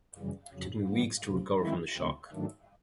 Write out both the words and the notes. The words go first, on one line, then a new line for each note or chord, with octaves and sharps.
It took me weeks to recover from the shock.
F#2 C#3 E3 G3
F2 C#3 F#3
A2 E3 G3 B3
D2 C3 F3
D#3 G#3 C4 E4
D2 C#3 F3 A3 C4
G#2 D#3 F#3 A3 D4